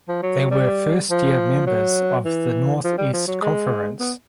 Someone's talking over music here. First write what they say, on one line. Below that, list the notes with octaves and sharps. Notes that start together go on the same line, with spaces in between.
They were first year members of the Northeast Conference.
F3
F#3
G3
F3
F#3
E3
F3
G3
F3
F#3
G#3
B3